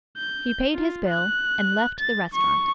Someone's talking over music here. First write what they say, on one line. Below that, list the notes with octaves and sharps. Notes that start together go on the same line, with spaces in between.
He paid his bill and left the restaurant.
G6
F4
F#6
A6
C#6